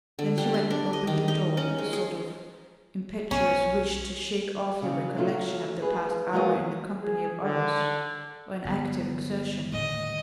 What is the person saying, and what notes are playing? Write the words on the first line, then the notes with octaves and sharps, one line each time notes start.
Then she went and opened the door, with a sort of impetuous wish to shake off the recollection of the past hour in the company of others, or in active exertion.
D3
G3
C6
D4
D#5
D#3
D#4
C#4
G#3
G#4
B1 C#4
C#3 F#3
F#3 A3 D#4 F4
D#4 G#4 B4
F3 G#3 F4 F#4 A#4 D#5
G#4
D3
G1 F#3 B3
D#1 A2 D3 D#5